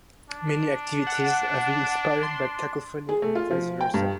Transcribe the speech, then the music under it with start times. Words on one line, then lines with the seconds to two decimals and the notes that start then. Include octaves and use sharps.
Many activities have been inspired by Cacophony and vice versa.
0.30 D4
1.07 F#5
2.23 C6
3.09 G#4
3.22 A3
3.35 F4
3.51 F3
3.81 G5
3.94 G2